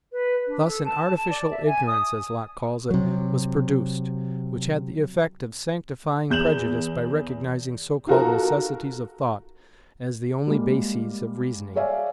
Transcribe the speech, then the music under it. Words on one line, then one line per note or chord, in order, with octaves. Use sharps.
Thus an 'artificial ignorance,' as Locke calls it, was produced, which had the effect of sanctifying prejudice by recognizing so-called necessities of thought as the only bases of reasoning.
B4
D4
A4
A5
D5
E5
G#5
D#6
C3 F#3
E2 G6 E7 F#7
D#4 F4 F#4 A4 A#4
G3 G#3 A#3
G#4 C#5 D5 E5 F5 G#5